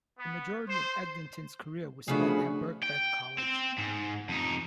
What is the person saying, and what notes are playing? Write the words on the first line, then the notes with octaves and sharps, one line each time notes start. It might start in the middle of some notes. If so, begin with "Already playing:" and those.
The Majority of Edgington's career was spent at Birkbeck College.
B3
C5
C#3 F3 A3 B3 D4 F#4
G5
C4
G#2
F2 D#4